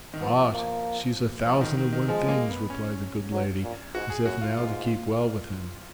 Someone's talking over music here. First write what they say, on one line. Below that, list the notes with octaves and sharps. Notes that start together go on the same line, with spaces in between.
"Ah she's a thousand and one things!" replied the good lady, as if now to keep well with him.
D#3
F3 B3
A#3
F3
D#3
D#3
D#3
F3 G#3
A#3
B3
C#4
F#3
A#2
G#2 F#4
G#4
F#2 F#4
F4
G#2 F4